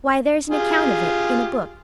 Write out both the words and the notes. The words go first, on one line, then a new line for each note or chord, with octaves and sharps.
"Why, there is an account of it in a book."
F4 G4 G#4